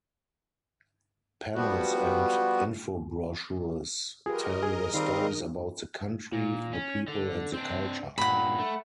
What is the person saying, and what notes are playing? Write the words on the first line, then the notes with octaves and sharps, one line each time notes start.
Panels and infobrochures tell the stories about the country, the people and the culture.
F3 G3 B3 F#4
F4 G4 G#4 A#4 B4 D#5
G#4
D#3 G3 C4 D#4 F5
A#2
C#4
D3
C4 D4
G2 A#2 F#5 B5
A3